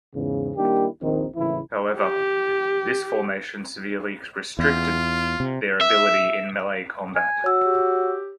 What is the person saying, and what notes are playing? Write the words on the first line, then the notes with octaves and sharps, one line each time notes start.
However, this formation severely restricted their ability in melee combat.
E2 G#2 C#3
D#3 G3 A#3 D4 E4 G4
A#1 D#2 D#3 C4 D#4
G#1 A2 C#3 E3 E4
G4
E2 F4
C3
E5
G#5
F#4 C#5 E6
G4